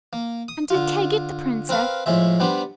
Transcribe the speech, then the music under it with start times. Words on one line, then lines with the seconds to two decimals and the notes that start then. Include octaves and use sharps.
"And did Kay get the Princess?"
0.13 A#3
0.48 D#6
0.70 D3 F4
1.69 C4 A#4 B4 F5
2.06 A2 F3 G#3 E5
2.40 G3 B3 D4 C5